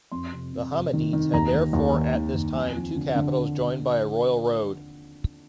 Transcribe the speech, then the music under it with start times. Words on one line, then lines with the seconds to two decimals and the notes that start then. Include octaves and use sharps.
The Hammadids had therefore at this time two capitals joined by a royal road.
0.12 F2 C6
0.32 C3
0.53 C3
0.72 C3
0.93 D#3
1.13 D#3
1.33 D#2 A#5
1.54 D#3
1.73 D#2
1.94 D#3
2.14 D#3
2.34 D#2
2.55 F2 G#5
2.75 F3
2.96 D3
3.15 D3